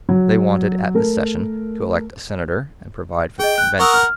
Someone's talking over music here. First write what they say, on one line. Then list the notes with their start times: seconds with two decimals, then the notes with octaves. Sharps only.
They wanted at this session to elect a senator and provide for the convention.
0.09 F#3
0.95 A3 A#4
3.39 G#4 D#5 G5
3.58 F#6
3.79 A#4 F#5 C#6 D#6 E6
3.93 F6